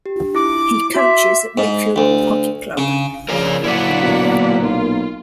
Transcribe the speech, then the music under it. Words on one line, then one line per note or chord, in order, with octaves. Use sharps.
He coaches at Wakefield Hockey Club.
G4
E4 D6
F#4 E5 C6 D6
G#2
D2
C#3
C#3 F3 A#4 D5 G#5
A#2 F#3 A#3 E4 D5 F#5 B6
B2
B1 F4